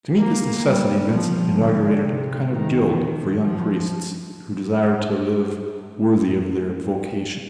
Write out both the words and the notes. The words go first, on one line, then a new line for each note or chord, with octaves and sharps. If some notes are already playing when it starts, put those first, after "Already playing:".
To meet this necessity Vincent inaugurated a kind of guild for young priests who desire to live worthy of their vocation.
A#3
G3
F3
D3
C3
D#3
F3